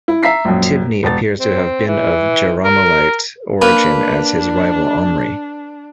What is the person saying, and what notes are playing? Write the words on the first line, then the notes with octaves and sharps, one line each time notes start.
Tibni appears to have been of Jerahmeelite origin as his rival Omri.
E4
E5 A#5 B6 C7
A#1 F#2
E1 A6
C4
E3
A#4
A#3 D4 B4